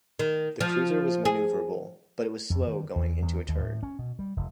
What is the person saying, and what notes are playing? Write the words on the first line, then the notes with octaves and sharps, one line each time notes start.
The cruiser was maneuverable, but was slow going into a turn.
D#3
F3
G#4
F2
D#3
E2
E2
D#2
A2
C#4
B2
G3
F1